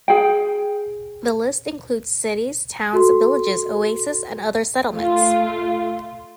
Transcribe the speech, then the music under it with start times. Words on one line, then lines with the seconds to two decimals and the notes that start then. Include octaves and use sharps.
The list includes cities, towns, villages, oases and other settlements.
0.08 G#4 G5
2.93 F#4 A4 C6
4.92 A3 F4